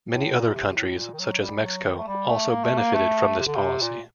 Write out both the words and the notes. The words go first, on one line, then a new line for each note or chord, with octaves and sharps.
Many other countries, such as Mexico, also benefited from this policy.
A2
A#2
C3
A2
A#2
D#3
F#3
G3
F#3
D#3
A3
G3
A3
A#3
A3
A#3
A3
C3
D3
C3
A#2